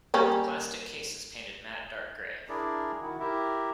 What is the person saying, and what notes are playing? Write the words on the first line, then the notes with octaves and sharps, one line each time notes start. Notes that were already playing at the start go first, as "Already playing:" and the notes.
The plastic case is painted matte dark grey.
G3 A#3 C#4
D4 E4 G#4 A#4 D5
D#3 E4 F#4
E4 G4 A#4 E5